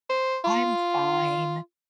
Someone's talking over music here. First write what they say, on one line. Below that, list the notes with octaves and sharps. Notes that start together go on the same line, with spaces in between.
I'm fine
C5
F4